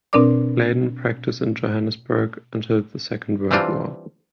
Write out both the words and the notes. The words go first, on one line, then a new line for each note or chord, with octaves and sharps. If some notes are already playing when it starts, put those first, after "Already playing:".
Clayden practiced in Johannesburg until the Second World War.
B2 C4 D4 A#4 D5 D6
E3 G3 C4 D4 F4